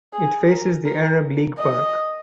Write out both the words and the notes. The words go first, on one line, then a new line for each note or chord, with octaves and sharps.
It faces the Arab League Park.
G#4
A#4
A#4
D#5